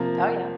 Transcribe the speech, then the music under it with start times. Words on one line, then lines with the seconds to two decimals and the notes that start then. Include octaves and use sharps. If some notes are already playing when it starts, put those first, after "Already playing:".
Oh, yeah.
Already playing: C3 F3 A#3